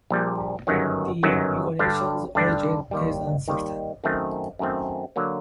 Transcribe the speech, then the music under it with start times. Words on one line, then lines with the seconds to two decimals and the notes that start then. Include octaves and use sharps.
The epigonation's origin is uncertain.
0.10 A#1 A#2 G3
0.67 G1 F#2 D#3 F#3
1.23 G1 F#2 D#3 F#3
1.79 G2 D3 G3 D4
2.35 G2 D3 G3 D4
2.91 D#2 D#3 G3
3.48 D#2 D#3 G3
4.04 F#2 D#3 A3 C4
4.59 F#2 D#3 A3 C4
5.16 D3 F#3 A#3